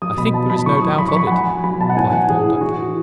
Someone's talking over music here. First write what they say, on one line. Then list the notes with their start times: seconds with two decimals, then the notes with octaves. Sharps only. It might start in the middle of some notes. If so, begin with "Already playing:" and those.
"I think there is no doubt of it," replied Thorndyke.
0.02 F#3 D#6
0.17 B2 B5
0.34 F#3 A5
0.50 F#3 B5
0.66 A2 C#6
0.82 F#3 D#6
0.98 F#3 B5
1.08 C#6
1.15 F#3 B5
1.27 F#5
1.32 F#3 G#5
1.48 F#3
1.64 F#3 B5
1.80 B2 A5
1.90 F#5
1.96 A2 G#5
2.13 E3 F#5
2.29 E3 G#4
2.46 A2
2.61 E3 F#4
2.78 E3